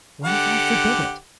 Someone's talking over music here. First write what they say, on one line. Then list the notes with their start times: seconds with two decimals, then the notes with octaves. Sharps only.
"What if I forbid it?"
0.25 D3 G4 F#5